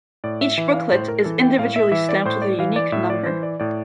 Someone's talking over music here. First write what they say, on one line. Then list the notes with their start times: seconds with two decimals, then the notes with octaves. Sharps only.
Each booklet is individually stamped with a unique number.
0.24 A2 D5
0.41 E5
0.58 E3 E5
0.74 F5
0.91 A2 C5
1.08 A#4
1.24 E3 A4
1.42 G5
1.58 A2 F5
1.76 E5
1.91 E3 E5
2.09 D5
2.25 A2 C5
2.42 D5
2.59 E3 F5
2.76 D5
2.92 A2 E5
3.10 D5
3.26 E3 C5
3.43 D5
3.60 A2 D5